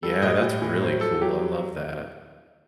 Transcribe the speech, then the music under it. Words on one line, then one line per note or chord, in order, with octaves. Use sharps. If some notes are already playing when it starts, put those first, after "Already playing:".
Yeah, that's really cool, I love that,
G3 A4
A2 D#5
A2
A2
F#3 C5
F#3 A4
F#3 G4